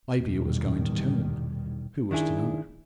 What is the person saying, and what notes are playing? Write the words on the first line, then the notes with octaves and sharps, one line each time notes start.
Maybe it was going to turn--who was to know?
A#1 E2 G#2 B2 D#3 G3
D#3 D4 E4 G#4